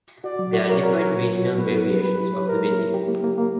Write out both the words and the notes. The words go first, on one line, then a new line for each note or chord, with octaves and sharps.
There are different regional variations of the bindi.
F#4 D5
F#3
F#4
A#4 C#5
A#4
A#4
F#4
F#3
F#4
B3 B4
F#3
F#3
G4 B4
E4
C#5
E4 A#4
A#3
E4
G4
A#3
A#3
A#3